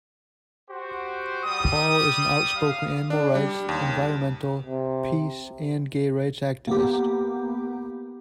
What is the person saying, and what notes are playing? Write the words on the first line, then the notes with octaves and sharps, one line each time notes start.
Paul is an outspoken animal rights, environmental, peace and gay rights activist.
F#4 G4 C5
G3 D#6
F5
D4
G3
D#2
C3
A#3 B3 G4